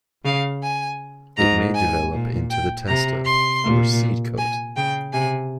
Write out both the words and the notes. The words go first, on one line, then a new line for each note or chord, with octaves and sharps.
It may develop into the testa, or seed coat.
C#3 F5
G#5
G#2 A#5
G#5
A#2
G5
C3 A#5
C6
A#2
G#5
C#3 G5
C3 G#5